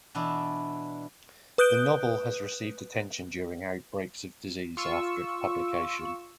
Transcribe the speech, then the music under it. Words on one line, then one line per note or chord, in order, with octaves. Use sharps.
The novel has received attention during outbreaks of disease after its publication.
B2 E3 D4 E4
B4 D#6 F#6 G6 D7 G7
F4 C#6 E6